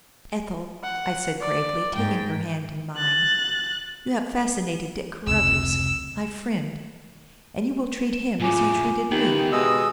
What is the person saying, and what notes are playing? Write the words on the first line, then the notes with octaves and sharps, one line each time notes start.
"Ethel," I said gravely, taking her hand in mine, "you have fascinated Dick Carruthers, my friend; and you will treat him as you treated me."
F#5
D5
G#2 G5
F#6 A6
F1 C#2 C3 E6
E7
A2 C#3 F4 G#5 D6
E2 D#3 G4 G5 F#7
B2 G#3 D#5 E6